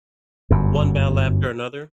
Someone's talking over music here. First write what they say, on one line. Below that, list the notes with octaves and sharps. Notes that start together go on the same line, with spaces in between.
One Battle After Another?
G1 F#2